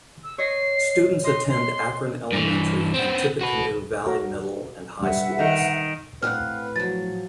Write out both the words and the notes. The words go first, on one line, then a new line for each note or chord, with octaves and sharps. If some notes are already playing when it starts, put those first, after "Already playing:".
Students attend Akron Elementary and Tippecanoe Valley Middle and High Schools.
E6
C#5 D#5 C7
D#5 C6
C6
G2 E3
B3 C4
F#4 B4
F#4 A#4
G3 B4 E5 F#5
D#3
A2 C4 B4 F5 F#5 F6 F#6
F3 F#3 A6